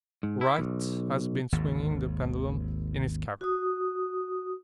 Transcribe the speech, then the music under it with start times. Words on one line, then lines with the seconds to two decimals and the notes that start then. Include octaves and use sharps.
Wright has been swinging the pendulum in his cavern.
0.23 G#2
0.41 E4
0.59 B1
1.52 G#1 D#2
3.41 F#4 D#6